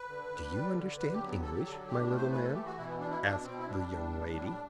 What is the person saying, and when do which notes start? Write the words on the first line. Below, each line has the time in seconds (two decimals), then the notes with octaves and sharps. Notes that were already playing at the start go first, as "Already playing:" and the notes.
"Do you understand English, my little man?" asked the young lady.
Already playing: B4
0.08 D3
0.30 D3
0.52 G3
0.74 D3
0.97 D3 B4
1.12 G4
1.20 F#3
1.27 B3
1.42 F#3 A4
1.54 G4
1.64 D3 A4
1.87 A2 G4
2.02 D4
2.10 A3
2.17 C5
2.32 E3 B4
2.43 A4
2.54 E3 G4
2.65 F#4
2.77 B2 E4
2.89 B3
2.99 B2 D4
3.10 E4
3.21 B2 D4
3.44 B2 C4
3.58 E4
3.67 G3 D4
3.89 G3
4.12 A2
4.33 G3